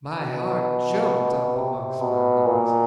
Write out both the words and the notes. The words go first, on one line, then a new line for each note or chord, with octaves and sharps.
My heart jumped up amongst my lungs.
B2
C3
B2
A#2